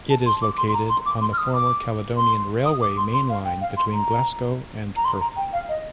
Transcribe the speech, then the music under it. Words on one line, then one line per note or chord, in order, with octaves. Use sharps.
It is located on the former Caledonian Railway main line between Glasgow and Perth.
A5
C6
D6
C6
C6
A#5
C6
D6
C6
F6
D#6
D6
C6
D#6
D6
C6
C6
F5
G5
F5
C6
A#5
A#5
C6
A#5
G5
F5
D#5